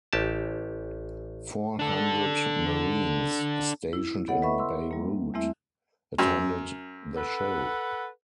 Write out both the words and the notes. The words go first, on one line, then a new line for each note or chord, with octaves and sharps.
Four hundred Marines stationed in Beirut attended the show.
A1 G4 A5
D4 A4
E4
B3 A4 C#5 D#5 F#5
B4 D#5 E5 B5 C#6
C6 E6
G3 A#3
E2 G3 A3 C4 E4 E5
F#2
A4 B4 F#5